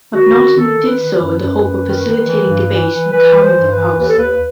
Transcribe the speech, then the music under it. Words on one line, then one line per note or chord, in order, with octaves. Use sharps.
Macnaughton did so in the hope of facilitating debate and calming the House.
D#3 F#4
D#3
D#3 A4
D#3
B4
D#3
B4
F#2
F#2
F#2
D#3
D#3
E3
G2
E3
E3
E3 B4
E3
C5
G2
B4
E3
D#2 B4
A4
D#2 B4